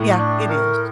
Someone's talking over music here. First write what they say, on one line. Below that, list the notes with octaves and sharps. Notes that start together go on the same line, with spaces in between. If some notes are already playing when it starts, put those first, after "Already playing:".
Yeah, it is.
Already playing: A2
D4
A#4